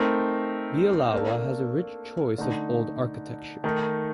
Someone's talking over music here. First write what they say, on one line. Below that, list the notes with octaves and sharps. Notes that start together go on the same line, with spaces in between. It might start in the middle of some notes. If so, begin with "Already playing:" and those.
Bielawa has a rich choice of old architecture.
Already playing: A3 C4 D#4 A#4
A#3 D4 A4
D3 A3 D#4
D#3 A3 D#4